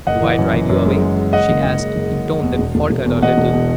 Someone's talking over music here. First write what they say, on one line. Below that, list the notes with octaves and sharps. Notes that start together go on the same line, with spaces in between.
"Do I drive you away?" she asked, in tones that faltered a little.
F#1 D#5 F#5
E3
F#2
E3
F#2
G#3
G#3
G#3
C#3 D#5 F#5
F#1
F#1
F#1
F#1
F#1
F#1
E2
E1
E1
E1
E2
E1 D#5 F#5
E1
B2